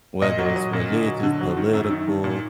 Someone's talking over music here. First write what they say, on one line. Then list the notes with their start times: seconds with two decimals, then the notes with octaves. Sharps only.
whether it's religious, political,
0.22 A#2 D#5
0.39 F#3
0.56 F#3
0.73 A#2
0.90 D3
1.06 F#3
1.23 D3
1.41 F#3
1.57 D#3
1.74 F#2
1.90 D#3
2.07 D#3
2.24 A#2